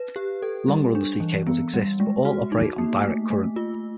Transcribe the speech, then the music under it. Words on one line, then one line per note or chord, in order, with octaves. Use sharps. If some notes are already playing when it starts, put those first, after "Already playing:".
Longer undersea cables exist, but all operate on direct current.
Already playing: B4
G4
A4
G3
D4
E3
B3
G3
G#3
F#4
D#4
A#3
A3
A3
F4